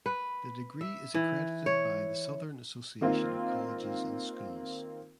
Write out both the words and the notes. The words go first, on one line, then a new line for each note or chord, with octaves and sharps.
The degree is accredited by the Southern Association of Colleges and Schools.
B4
E5
E3
C#5
D#3 A#3 C4 F4